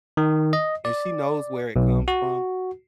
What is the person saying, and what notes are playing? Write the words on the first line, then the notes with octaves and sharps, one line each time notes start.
and she knows where it comes from,
D#3
D#5
D5
B1
F#4